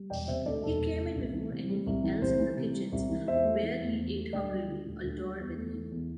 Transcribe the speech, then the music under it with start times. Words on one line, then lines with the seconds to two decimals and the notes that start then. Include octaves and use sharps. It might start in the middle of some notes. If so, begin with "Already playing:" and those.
He came in before anything else in the kitchens, where he ate hungrily, Uldor with him.
Already playing: G3
0.10 E1 D5 G5
0.28 C3 C5 E5
0.46 D2 A4 D5
0.63 E1 A4
0.80 E1
0.98 C3
1.16 C2
1.33 E3
1.51 C3
1.69 G3
1.87 C2
2.04 E3
2.21 C2 C5
2.40 E3
2.57 C3
2.74 G3
2.92 C2
3.10 E3
3.27 E2 C5 E5
3.45 A3
3.63 E3
3.81 E2
3.98 E2
4.16 A3
4.33 D2 D5 G5
4.51 G3
4.68 D3
4.87 D2
5.04 D2
5.22 G3
5.39 E2
5.56 A3
5.74 E3
5.92 E2